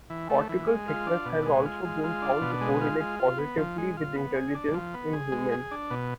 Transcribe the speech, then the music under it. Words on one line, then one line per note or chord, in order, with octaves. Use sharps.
Cortical thickness has also been found to correlate positively with intelligence in humans.
E3
A3
E3
G#3
F4
D4
B2
G#3
F4
G#3
F4
D4
B2
G#3
F4
G#3
F4
B3
F3
G#3
F4
B3
G#4
D4
F3
B3
G#4
G#3
G#4
D4
B2